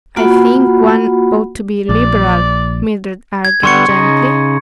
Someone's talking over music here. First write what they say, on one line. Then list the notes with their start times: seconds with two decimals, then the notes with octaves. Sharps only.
"I think one ought to be liberal," Mildred argued gently.
0.16 A#3 F4 F#4 F#5 B5
1.89 A#1 D5
3.45 G#6
3.63 D3 G3 B3 C6 C#6 C#7
3.89 C#3 D#4